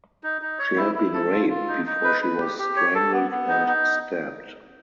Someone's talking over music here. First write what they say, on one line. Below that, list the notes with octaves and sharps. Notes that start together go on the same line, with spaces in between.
She had been raped before she was strangled and stabbed.
D#4
D#4
C#5
E4
E4
A4
F4
F4
D#4
D#4
B4
B4
G4
G4
C#5
A4
B3
B3
D#4
D#4